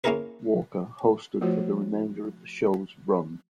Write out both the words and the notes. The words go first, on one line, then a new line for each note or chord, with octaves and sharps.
Walker hosted for the remainder of the show's run.
A#3 C#4 E4 G#4 A#4 B4
F3 A3 F4 F#4 C5 C#5